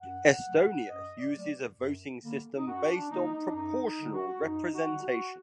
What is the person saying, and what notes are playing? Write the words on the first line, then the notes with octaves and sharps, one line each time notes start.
Estonia uses a voting system based on proportional representation.
F#2 F#5
F#3 A3
F#2 D#5
D5
F#3 A3
F#2
D3 G3 A#3
D#4
F#2 F#4
D4
D3 G3 A#3 D#4
D#4
D4
F#2 D#4
D#4
D3 G3
F#4
F#2 D#4
F#4
D3 G3
D#4
F#4